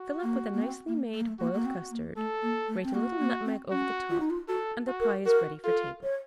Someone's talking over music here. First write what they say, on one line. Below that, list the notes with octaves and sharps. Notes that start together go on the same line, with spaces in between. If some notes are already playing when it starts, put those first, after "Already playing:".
Fill up with a nicely-made boiled custard, grate a little nutmeg over the top, and the pie is ready for table.
Already playing: F#4
A#3
A#3
C4
A#3
A3
A#3
A3
A#3 F#4
A#3
C4
A#3
A3 A4
A#3
A3
C4
A#3 F#4
A#3
C4
C#4 F#4
F4
D#4
F4
F#4 A4
F#4
A#4
F#4 A#4
F4 A4
C#5